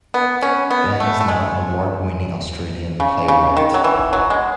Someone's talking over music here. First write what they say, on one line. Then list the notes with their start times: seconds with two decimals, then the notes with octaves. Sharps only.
Van is now an award-winning Australian playwright.
0.14 B3
0.42 C#4
0.70 B3
1.00 A3
1.21 A3
1.28 G#3
3.00 C#3
3.28 C#3
3.57 D#3
3.74 F#3
3.84 E3
4.13 F#3
4.30 G#3